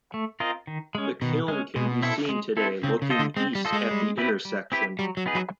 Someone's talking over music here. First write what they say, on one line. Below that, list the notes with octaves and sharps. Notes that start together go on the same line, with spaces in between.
The kiln can be seen today looking east at the intersection.
A3
C4 F4 A#4 D#5
D#3
G#3 C#4
B2 D#3
G#3 C#4
B2 G#3
C4 E4 A4
G#3
C4 E4 A4
C#3 C4
C#3
F4 A4 C5 D#5
D3
G#3 C4
G3
F4 A4 C5 D#5
G#3
G3
C4 E4 G4 B4
G3
C4 E4 G4 B4
F#3 G3
F#3
B3 D#4 G#4 B4
F#3